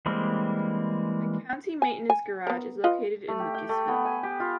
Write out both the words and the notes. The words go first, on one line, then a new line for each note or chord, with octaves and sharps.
The county maintenance garage is located in Lucasville.
E3 G3 G#3 A#3 C4
G#5
G#5
B3 A#4
F4 B4 D#5
A3
G4
G5
A3
B3
G#5
G4
F4